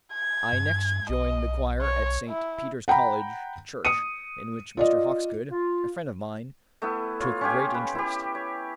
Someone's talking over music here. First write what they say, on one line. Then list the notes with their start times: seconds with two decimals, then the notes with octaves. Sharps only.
I next joined the choir at St. Peter's College Church, in which Mr. Hawkesgood, a friend of mine, took great interest.
0.14 G#6
0.53 G2
1.09 B1 D#5
1.81 C#5
2.29 E4
2.88 F#5 G5 A#5 B5
3.85 D#6 C#7 D#7
4.77 F4 D5 D#5
5.50 F4
6.82 A3 B3 E4
7.20 F4 C#5
7.41 C#4 F4 G4 G#5
7.74 B4
7.95 E4 G4
8.35 C#5